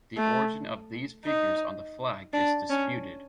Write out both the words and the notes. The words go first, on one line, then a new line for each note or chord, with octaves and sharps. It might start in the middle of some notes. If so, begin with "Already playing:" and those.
The origin of these figures on the flag is disputed.
A3
D#4
D4
C#4